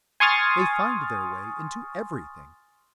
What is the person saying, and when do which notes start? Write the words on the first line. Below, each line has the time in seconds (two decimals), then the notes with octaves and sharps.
They find their way into everything.
0.20 G#5 C6 C#6 D#6 F6 A6